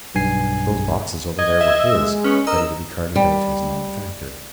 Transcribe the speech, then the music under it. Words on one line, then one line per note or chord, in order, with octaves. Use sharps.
Those boxes over there were his, ready to be carted out to his manufactory.
B1 G2 G#5 C7
D#5 G#6
E5
G#3
B3 C#4
A#4 D#5 E6
G3